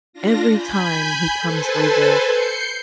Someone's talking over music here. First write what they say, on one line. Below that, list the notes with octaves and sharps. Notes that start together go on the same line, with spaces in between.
every time he comes over
D4 F4 A#6
G#5 B5 G6
A4 B4 C5 G#5 A5
G6 C7 C#7